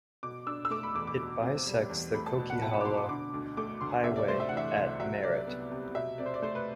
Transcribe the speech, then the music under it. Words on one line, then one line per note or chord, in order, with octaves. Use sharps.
It bisects the Coquihalla Highway at Merritt.
B2 D6
D4 E6
E6
A3 D6
B5
E2 D6
D6
B2
C4
G3
E2
A3 B5
A5
B2
F#5
E4 A5
B5
D6
B2 C6
D6
D3 D6
D2
A3 D6
D2 C6
C3 E5
D5
A3 C5
E5
F#5
E3 E5
C2
F#3 E5
C3 D5
B3
C3
B2 E5
C4 D5
C5
D5
A3 C5
B4